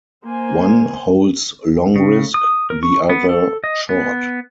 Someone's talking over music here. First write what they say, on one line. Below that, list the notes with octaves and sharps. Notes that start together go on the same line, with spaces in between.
One holds long risk, the other short.
A#3 C5 G#5
C#3
D#6
A#4
C#6
B3
A4
D#5
B3